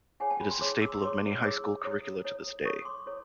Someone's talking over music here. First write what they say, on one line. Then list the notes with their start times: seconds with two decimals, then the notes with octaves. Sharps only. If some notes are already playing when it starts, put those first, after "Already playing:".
It is a staple of many high-school curricula to this day.
0.20 E4 G#4 C#5 F#5 G#5
0.30 G5 A5
0.41 A5 B5
0.51 A#5 C6
0.61 E4 G#4 C#5 C6 D6
0.81 D6 E6
1.02 E4 G#4 C#5 C6 D6
1.42 E4 G#4 C#5 D6 E6
1.84 E4 A4 C#5
2.24 E4 A4 C#5
2.65 E4 A4 C#5 C#6 D#6
2.85 C6 D6
3.06 E4 A4 C#5